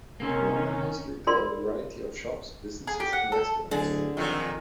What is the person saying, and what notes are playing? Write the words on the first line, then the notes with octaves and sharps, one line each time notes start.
Along the High Street there are a variety of shops, businesses, and restaurants.
C3 D#3 A#3 C#4
F4 F#4 A#4 D5 C6
G#4
G4
F#5
A4
D1 D3 G#4
F2 A#2 D#3 F#3